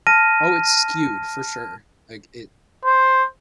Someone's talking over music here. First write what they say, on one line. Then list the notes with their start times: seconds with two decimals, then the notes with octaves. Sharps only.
Oh, it's skewed for sure. Like, it
0.07 A5 F6 A#6 D#7
2.85 C5